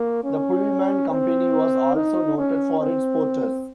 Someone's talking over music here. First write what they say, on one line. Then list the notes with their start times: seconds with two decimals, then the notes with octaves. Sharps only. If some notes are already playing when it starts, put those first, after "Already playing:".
The Pullman Company was also noted for its porters.
Already playing: A#3
0.24 C#4
1.10 C4
1.95 D#4
2.38 C#4
2.80 C4